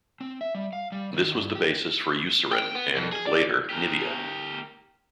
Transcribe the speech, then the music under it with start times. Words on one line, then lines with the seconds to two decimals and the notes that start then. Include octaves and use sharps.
This was the basis for Eucerin and, later, Nivea.
0.21 C4
0.41 E5
0.55 G3
0.73 F5
0.92 G3
1.13 D#3
1.35 G2
1.55 G4
2.53 G5
2.75 B3
2.96 F2
3.12 G#4
3.27 D5
3.69 G4 A#4